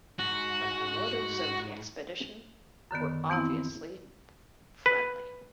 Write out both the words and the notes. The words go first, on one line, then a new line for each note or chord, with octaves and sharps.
But the motives of the expedition were obviously friendly.
G#2 F#4
F#2 D3 D#3 B3
E3 B3 C4 E4
B4